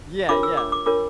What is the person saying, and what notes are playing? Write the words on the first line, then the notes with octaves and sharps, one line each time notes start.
Yeah, yeah.
D4 F4 A#4 C#5 D6
E6
D6
D6
D4 F4 A#4 C#5 D6